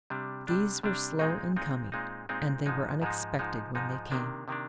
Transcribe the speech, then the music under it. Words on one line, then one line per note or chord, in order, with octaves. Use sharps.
These were slow in coming, and they were unexpected when they came.
C3 G3 D4
C3 G3 D4
C3 G3 D4
A#2 G#3 C4 D#4
A#2 G#3 C4 D#4
A#2 G#3 C4 D#4
A#2 G#3 C4 D#4
G#2 F3 G#3 D#4
G#2 F3 G#3 D#4
G#2 F3 G#3 D#4
G#2 F3 G#3 D#4
C3 D#3 A#3 D4
C3 D#3 A#3 D4